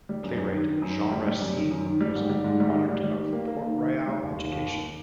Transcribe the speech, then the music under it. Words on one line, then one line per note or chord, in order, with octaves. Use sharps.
Playwright Jean Racine was a product of Port-Royal education.
G3
F#2
F#2
D#3
D#3
F#2
D#3
G3
G3
F#2
D#3
F#2
D#3
G3
G#2
G3
G#2
G3
D#3
G3
G3
D#3
A#3
A#3
D#3
D#3
D#3
G3
D#2
D#2
D#2
D#2